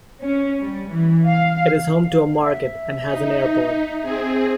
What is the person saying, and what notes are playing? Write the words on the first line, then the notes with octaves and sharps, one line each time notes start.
It is home to a market and has an airport.
C#4
G3
E3
F5
E5
D#4
C4 G#4